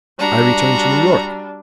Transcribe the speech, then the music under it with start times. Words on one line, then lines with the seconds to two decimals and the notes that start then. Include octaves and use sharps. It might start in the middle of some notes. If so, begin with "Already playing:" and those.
I returned to New York.
0.19 G3 D4 F#4 A#5